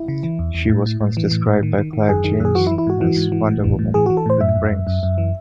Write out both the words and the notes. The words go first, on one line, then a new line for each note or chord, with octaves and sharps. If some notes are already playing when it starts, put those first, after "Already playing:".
She was once described by Clive James as Wonder Woman with brains.
Already playing: E4
C#3
E3
E2
E2
A2
A2
A2
E3
A2
A2
D#3
D#3
D#3
F#2 G#4
D#3
F#2 G#4
E3 F#4
E4
E3
E4
G#2 F#4
E3
G#2
E3
A2
E3
A2
E3 G#4
E3 F#4
A4
A2 C5
F#2 E5
F#2
F#2
F#2
F#2
E3